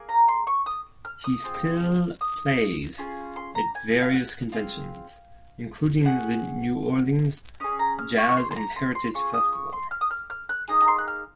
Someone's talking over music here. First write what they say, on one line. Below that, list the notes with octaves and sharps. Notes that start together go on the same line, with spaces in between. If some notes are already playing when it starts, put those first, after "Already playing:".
He still plays at various conventions, including the New Orleans Jazz and Heritage Festival.
Already playing: A#3 G#4
A#5
C6
C#6
D#6
F6
D#6
C4 F4 G#4
D#6
C#4 F4 G#4
C6
A#5
G#5
F5
F#5
C4 F4 G#4 F5
C#4 G#4 F#5
C#4 G#4 D#5
A#5
F6
C#6
C#6
C6
C6
A#5
C6
C6
C#4 F4 G#4 C#6
D#6
C#6
C6
F6
D#6
F6
F6
F#6
A#3 D#4 G#4 D#6
A#5
C6
F#6
F6